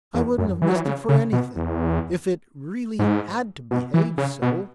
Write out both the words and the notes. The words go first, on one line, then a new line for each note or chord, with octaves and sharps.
"I wouldn't have missed it for anything--if it really had to behave so."
E2
F#2
E3
F#3
E3
C#3
C#3
B2
E2
G#2
B2
E3
C#3
B2